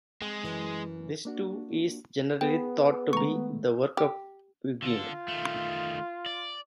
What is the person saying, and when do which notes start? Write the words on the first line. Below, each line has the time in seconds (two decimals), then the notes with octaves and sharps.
This too is generally thought to be the work of Pugin.
0.22 G#3 C4
0.45 F#2 E3
1.25 A#3 D4 F#4
2.41 B3 G#4 G5
3.13 D#3 G#3 A3 A#5 C#6
3.97 G4
4.82 D3 F4 A4
5.28 D#3 A3
6.26 D5